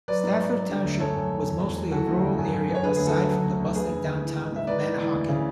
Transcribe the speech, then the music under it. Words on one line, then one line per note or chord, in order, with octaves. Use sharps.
Stafford Township was mostly a rural area, aside from the bustling downtown of Manahawkin.
F#3 B4 D5
G#2
F#3
F#3
D3
D2
F#2 A4 C#5
F#2
F#2
E2
E2
F#3
E3 F#4 A4
D2
C#3
F#2
F#2
F#2
C#5
D3 G#4 B4
D2 G#4
F#4 A4
F#3
F#3
D2
D2
D2 G#4 B4
D2
D2
E3
G#2
G#2 E5
G#2 B4 D5
E3
E3
D2
C#3